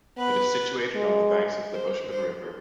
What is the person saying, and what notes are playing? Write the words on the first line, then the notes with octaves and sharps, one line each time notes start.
It is situated on the banks of the Bushman River.
B3 B4
G#3
C5
C5